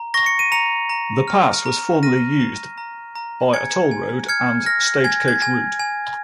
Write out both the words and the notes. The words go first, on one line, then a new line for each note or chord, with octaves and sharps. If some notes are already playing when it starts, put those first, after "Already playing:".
The pass was formerly used by a toll road and stagecoach route.
Already playing: A#5
C#6 A#6
C#7
D#7
A#5 C#7 F7
A#5
F6
A#5
F6 A#6 D#7
A#5
A#5
A#5
G#5 G#6 C#7
G#5
F6 G#6 C#7
F6 A#6
G#5 G#6
G#6
G#5
G#5